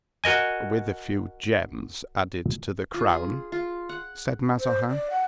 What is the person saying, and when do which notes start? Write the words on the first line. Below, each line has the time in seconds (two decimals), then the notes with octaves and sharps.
"With a few gems added to the crown," said Mazarin.
0.24 F#4 A#4 D#5 G#5
2.94 F4
3.09 G#4
3.52 F4
3.89 F#5
4.59 C5
4.90 D5
5.10 F#5